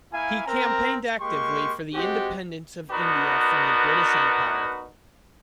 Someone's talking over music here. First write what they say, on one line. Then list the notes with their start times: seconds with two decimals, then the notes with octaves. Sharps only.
He campaigned actively for the independence of India from the British Empire.
0.13 A#3 E4 F5 G#5
0.46 C4 A#4 A#5
1.21 G#3 A#3 G4 C6 C#6
1.94 G#3 C4 F#4 G4
2.91 B3 D4 D#4 F#4 A#4 B4